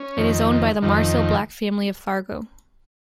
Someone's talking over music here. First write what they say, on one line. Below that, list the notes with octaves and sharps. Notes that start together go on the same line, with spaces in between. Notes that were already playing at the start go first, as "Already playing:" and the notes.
It is owned by the Marcil-Black family of Fargo.
Already playing: C#4
F2 D#3
F2 D#3